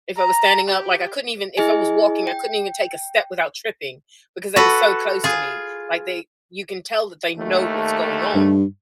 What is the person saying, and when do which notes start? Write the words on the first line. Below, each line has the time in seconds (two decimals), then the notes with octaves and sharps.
If I was standing up, like, I couldn't even if I was walking, I couldn't even take a step without tripping because they were so close to me. Like, they you can tell that they know what's going on
0.17 A#5
0.69 G4
1.57 E4 G#4 D#5 G#5
2.27 G5
4.56 F#4 A4 B4
5.24 F4 G#4
7.38 D#2 A3
8.35 G2